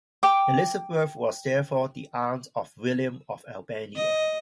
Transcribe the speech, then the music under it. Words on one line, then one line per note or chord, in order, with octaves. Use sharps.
Elisabeth was therefore the aunt of William of Albania.
G5 D6
D#5